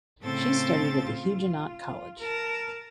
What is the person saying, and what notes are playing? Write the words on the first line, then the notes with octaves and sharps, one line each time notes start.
She studied at the Huguenot College.
A2 C#3 C4 A4 C5 A6
F4
A#4 A5